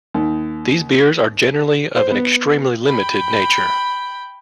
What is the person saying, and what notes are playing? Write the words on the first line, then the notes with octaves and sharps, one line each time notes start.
These beers are generally of an extremely limited nature.
D#2
C5
B3
G5 B5